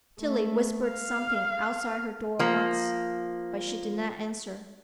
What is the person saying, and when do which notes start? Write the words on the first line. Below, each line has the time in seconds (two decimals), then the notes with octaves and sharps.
Tillie whispered something outside her door once, but she did not answer.
0.21 A3
0.88 F5
2.39 F3 A#3